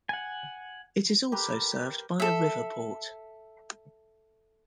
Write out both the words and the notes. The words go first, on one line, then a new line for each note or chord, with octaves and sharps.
It is also served by a river port.
F#5 G#5
G4 A#4 B4
A4 E5